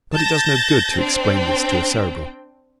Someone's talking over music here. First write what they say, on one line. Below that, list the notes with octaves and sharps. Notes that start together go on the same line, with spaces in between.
But it does no good to explain this to a Cerebral.
A5 G6 A6 A#6
C4 D4 C5 G5